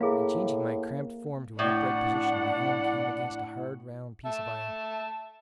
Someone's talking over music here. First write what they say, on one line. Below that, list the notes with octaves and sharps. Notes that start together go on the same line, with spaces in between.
In changing my cramped form to an upright position, my hand came against a hard, round piece of iron.
A2 A#3 E4 G#4 F5
A2 D4 E4 D5 F#5
E5 A5